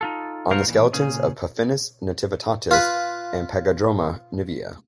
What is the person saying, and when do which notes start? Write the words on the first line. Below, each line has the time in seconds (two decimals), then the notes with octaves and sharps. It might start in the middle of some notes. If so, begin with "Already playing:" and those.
On the skeletons of Puffinus nativitatus and Pagodroma nivea.
0.01 D#4 F4 A4
0.51 G#3 F4 F#4 A#4 C5 F5
0.68 A#2 E3
0.93 A#2 C#3 C#4 G#4
2.71 F4 B4